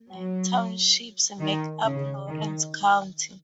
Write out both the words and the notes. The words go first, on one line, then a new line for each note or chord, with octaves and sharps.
Nine townships make up Lawrence County.
F#3
D#3
C#3
D#3